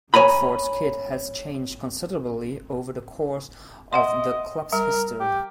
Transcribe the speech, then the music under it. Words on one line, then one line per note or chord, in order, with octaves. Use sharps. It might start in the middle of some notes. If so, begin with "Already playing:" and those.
Watford's kit has changed considerably over the course of the club's history.
C#5 G#5 A#5 B5
D#5 E5 F#5 C6
G3 A#4
G4